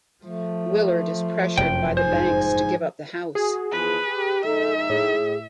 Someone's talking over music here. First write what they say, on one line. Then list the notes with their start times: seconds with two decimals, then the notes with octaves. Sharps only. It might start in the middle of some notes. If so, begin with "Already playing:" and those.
Willard is pressured by the banks to give up the house.
0.24 F3 A3
1.58 F1 F#2 G5
1.97 G#2 C5 G#5
3.35 F#4 G#4
3.72 E2 E3 F3 B4
4.08 G4
4.44 A#1 G#3 D#4 A4 E5
4.90 A2 G#4